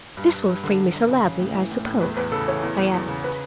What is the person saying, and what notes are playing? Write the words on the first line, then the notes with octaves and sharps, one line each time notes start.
"This will free Mr. Ladley, I suppose?" I asked.
G2
G2
G2
D3
F#2
F#2
C#3
C#3
A2
E3
A2
A2
E2 B4
E2 B4
C#3 A4
E3 C#5
E2
E2
E2
C#3
B4